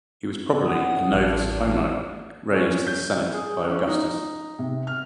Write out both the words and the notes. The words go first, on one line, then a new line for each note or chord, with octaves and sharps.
He was probably a "novus homo" raised to the Senate by Augustus.
C#4 F#5 D#6
A1 E2 D4
C#4
G6
G#4
C#4
D#4
C3
F6